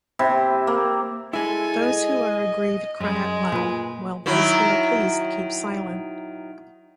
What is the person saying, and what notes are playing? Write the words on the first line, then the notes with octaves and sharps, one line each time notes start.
Those who are aggrieved cry out loud, while those who are pleased keep silent.
C3 E4
A#3
G#3 E4 A4 G#5
D#5
F#2 G#3
A#2 B4
D#3 F#3 E4